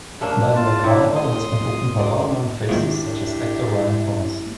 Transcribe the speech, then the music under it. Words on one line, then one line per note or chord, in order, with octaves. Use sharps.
The annual carnival has been opened by well-known faces such as actor Ryan Thomas.
A3 A#3 D4
F4 A5
A2 C4 D4 E4
C6 D#6
D5
F2 G#2 D#3 D4 E4 G4